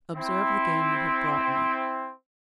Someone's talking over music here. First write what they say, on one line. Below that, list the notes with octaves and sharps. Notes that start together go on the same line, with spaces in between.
Observe the game you have brought me!
C4 E4